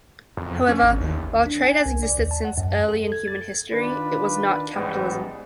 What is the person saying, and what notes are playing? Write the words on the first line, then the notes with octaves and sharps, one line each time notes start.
However, while trade has existed since early in human history, it was not capitalism.
F2
C#4
G#1
D#2
D4
G#5
C2
D5
D#2
A5
F#5
F#2
A4
G#6
A6
D#3 D4 F4 B4
A1 G#2 G3 B3